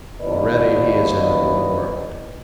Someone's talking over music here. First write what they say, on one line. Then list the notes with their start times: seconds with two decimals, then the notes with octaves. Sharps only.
Already he is in a new world.
0.22 D#2 B2 E4 B4 D5 D#5